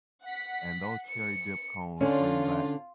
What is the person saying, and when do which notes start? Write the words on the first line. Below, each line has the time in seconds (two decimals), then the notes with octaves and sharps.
And those cherry-dip cones bring back
0.25 F#5 B6
1.06 C#7
2.01 D3 C#4 F4